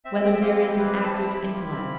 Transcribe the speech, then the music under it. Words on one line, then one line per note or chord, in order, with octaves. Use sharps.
Whether There Is an Active Intellect?
C4 E5
C4 G5
E5
G4 F5
E4
C4 B4
C4
A5
G4
B5
E4
F4
C4